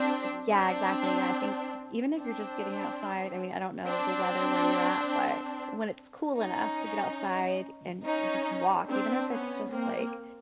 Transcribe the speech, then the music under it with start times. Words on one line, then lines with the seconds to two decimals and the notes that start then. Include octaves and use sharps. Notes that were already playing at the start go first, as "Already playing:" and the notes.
Y yeah, exactly. I think even if you're just getting outside, I mean, I don't know the weather where you're at, but when it's cool enough to get outside and just walk, even if it's just, like,
Already playing: C4 D4
0.51 C4 D4
2.19 C4 D4
3.85 C4 D4
6.37 C#4 D#4
8.04 C#4 D#4
8.88 C4 D4
9.30 B3 C#4
9.71 A#3 C4